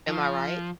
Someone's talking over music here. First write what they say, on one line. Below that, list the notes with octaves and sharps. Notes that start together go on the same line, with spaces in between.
Am I right?
F3